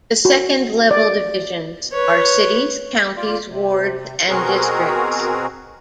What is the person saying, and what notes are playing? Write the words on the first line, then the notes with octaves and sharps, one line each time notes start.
The second-level divisions are cities, counties, wards, and districts.
F#4
D5
B4 C#5
F4 D5
C3
B2 C4 F#4 G#4 A#4